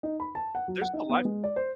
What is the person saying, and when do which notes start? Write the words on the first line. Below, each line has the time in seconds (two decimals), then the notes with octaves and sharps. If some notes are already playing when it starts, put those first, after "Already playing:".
there's no lifeguard.
0.03 D#4
0.20 B5
0.35 A5
0.55 F#5
0.68 F#3
0.82 F#5
0.93 D#4
1.10 B3
1.25 G#3
1.44 D5
1.56 C5